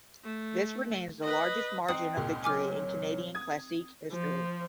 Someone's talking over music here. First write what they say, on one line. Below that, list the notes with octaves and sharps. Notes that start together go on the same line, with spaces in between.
This remains the largest margin of victory in Canadian Classique history.
A3
B4 D#5
C4 D#4 F#5 D#6 C7
C#2 A#2 G#4
F#3 G#5 D6 F6
D#6 G#6
F3